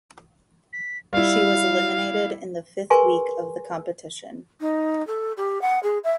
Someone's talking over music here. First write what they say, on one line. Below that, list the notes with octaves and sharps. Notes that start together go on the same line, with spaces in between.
She was eliminated in the fifth week of the competition.
B6
G3 E4 F5
G#4 A#4 B4 G#5 C6 C#6
D#4
A4
G4
F#5
G#4
E5